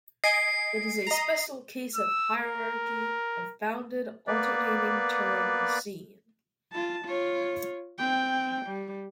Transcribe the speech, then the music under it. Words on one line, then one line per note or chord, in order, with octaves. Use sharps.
It is a special case of hierarchy of bounded alternating Turing machine.
D#5 G#5 C7 D7
D#5 A#5
E6
A#4
A#3 B3 B4 D5
F4 A5
F4 C#5
C4 G5
G3